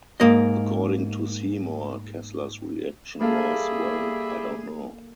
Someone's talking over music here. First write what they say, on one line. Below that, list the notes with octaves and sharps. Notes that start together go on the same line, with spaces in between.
According to Seymour, Kessler's reaction was, Well, I don't know.
G#2 A#3 D#5
G3 A#3 G#4 A4 E5 F5